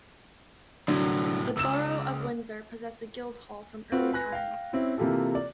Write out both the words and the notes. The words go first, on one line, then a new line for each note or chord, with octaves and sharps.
The Borough of Windsor possessed a guildhall from early times.
C2 A2 D3 F#3
C#2 E6 E7
C4 F4 F#4 B4
B4 G#5 F#6 A#6
F5 G5
C4 C#4 E4
C3 E3 A#3 F4 G4 A4
D5